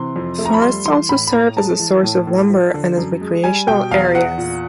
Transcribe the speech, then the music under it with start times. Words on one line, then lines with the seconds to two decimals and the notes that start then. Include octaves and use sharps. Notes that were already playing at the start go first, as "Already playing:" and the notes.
Forests also serve as a source of lumber and as recreational areas.
Already playing: C3 E3 C6
0.16 F2
0.38 A3
0.45 A#5
0.54 B5
0.62 G3 C6
0.85 E3 C6
1.09 A2 B5
1.27 B5
1.32 A2 A#5
1.56 G#3 A5
1.80 E3
2.03 A2
2.27 A2
2.50 F3
2.74 D3
2.97 F#2
3.21 G#3
3.44 G3 G#5
3.67 B2 G5
3.91 E2 F5
4.14 E2 F#5
4.38 A#2